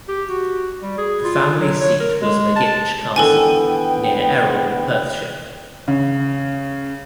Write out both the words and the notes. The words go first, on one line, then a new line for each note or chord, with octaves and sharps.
The family seat was Megginch Castle, near Erroll, Perthshire.
G4
F#4
G3
G#4
F4
F#3
C#5
A#4
G#3
A5
D#3 E3 B3 D4 A4 B4 G5 G#5
C#3